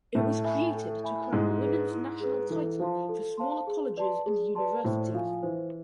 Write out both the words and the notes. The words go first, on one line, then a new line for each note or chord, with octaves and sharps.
It was created to crown a women's national title for smaller colleges and universities.
A2 A3 A4
E5 G#5 B5
A4
E5 G#5 B5
G#2 G#3 E4
G#4 B4
E4
G#4 B4
E3 A4
F3 C5 F5 A5 C6
A4
C5 F5 A5 C6
G#4
B4 D5 A5 C6
G#4
B4 D5 A5 C6
A2 A3 C5
F3 F5 G#5
E3 C5